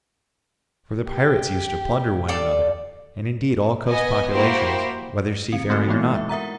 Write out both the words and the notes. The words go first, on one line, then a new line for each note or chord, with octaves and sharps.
For the pirates used to plunder one another, and indeed all coast populations, whether seafaring or not.
G4
F4 A4 D5
B3 D#5 G#5
A#3 E4 F#4 G4 C5
D3 C4 C#7
A3 C4 D#4 F#4 A4
E3 G#3 A#3 B3 D#4 E4
E5
A#4 E5 F#5 A#5